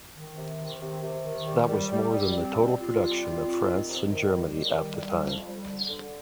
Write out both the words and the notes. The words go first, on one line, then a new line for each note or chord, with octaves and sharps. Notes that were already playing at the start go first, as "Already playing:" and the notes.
That was more than the total production of France and Germany at the time!
D#3
C3
D#3
C3
C3
D#3
G3
G3
G3
G3
C4
C4
F4
G3
F4
C4
D#3
C3
D#3
G3
D#3
G3
G3
F2
G3
D3
D3